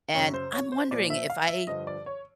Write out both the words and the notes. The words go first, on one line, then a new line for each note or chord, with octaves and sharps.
and I'm wondering if I
F#2 C#3 F#3 C#5
C5
C#5
C5
A#2 F3 D5
E5
F5
E5
G2 D3 F3 D#5
D5
C#5